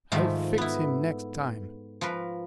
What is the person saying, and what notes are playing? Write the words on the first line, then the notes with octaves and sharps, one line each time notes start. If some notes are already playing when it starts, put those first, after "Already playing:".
I'll fix him next time.
G#2 D#3 F3 A3 B5
B3 E4
F3 A#4 B4